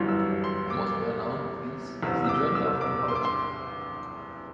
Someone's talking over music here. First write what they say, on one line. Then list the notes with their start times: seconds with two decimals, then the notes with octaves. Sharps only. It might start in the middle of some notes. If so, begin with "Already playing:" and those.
The most well known of these is "The Journal of Mammalogy".
Already playing: G1 F#2 E3 G3 C6
0.09 E6
0.44 C6
0.70 D6
2.03 F#1 E2 C3 E3 E6
2.24 E6
2.29 D6
2.55 E6
2.81 D6
3.08 C6
3.15 D6
3.25 C6